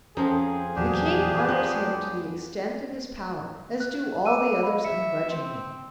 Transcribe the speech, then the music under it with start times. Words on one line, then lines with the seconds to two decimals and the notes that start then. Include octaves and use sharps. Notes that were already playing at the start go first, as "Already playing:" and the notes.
The King honours him to the extent of his power, as do all the others ungrudgingly.
0.17 F2 F3 C#4 G#4 A#4
0.76 E2 A#2 F#3 D4 G4
1.48 B3 F4
3.80 F#6
4.26 D6 E6 D#7
4.63 D#5 F5 B5
4.84 E5 C#7
5.30 C4